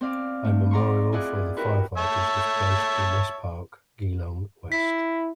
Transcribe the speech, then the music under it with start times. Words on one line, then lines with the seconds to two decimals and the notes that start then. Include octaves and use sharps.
A memorial for the firefighters was placed in West Park, Geelong West.
0.01 C4 D5 F5
0.44 A3
0.71 D5 A#5 C6 C#6
1.12 E4 F4 G#4 D5 D#5 F#5
1.57 E4 F#4 G4 A#4 B4
1.98 C#5 E5 A5
4.72 E4 B6